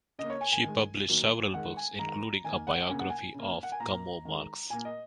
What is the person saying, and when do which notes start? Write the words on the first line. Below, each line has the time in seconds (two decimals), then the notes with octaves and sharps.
She published several books, including a biography of Gummo Marx.
0.19 C#3 A#3 D#5
0.30 C#5
0.41 G#5
0.53 G#5
0.64 D#3 G#3
1.09 D#3 F#3 A#3
1.54 D#3 G#3 F#5
1.77 G#5
1.99 D#3 G#3 A#5
2.44 D#3 A#3 G#5
2.67 F#5
2.89 C#3 A#3 G#5
2.99 F#5
3.09 G#5
3.34 C#3 A#3
3.63 F#5
3.72 G#5
3.80 A#2 A#3 A#5
4.25 D#3 G#3
4.70 A#2 A#3 G#5
4.85 D#5